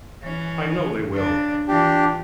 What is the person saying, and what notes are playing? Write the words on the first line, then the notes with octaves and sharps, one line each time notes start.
I know they will!'
E3 C#4
C#3 D4
E3 D4 F4 G4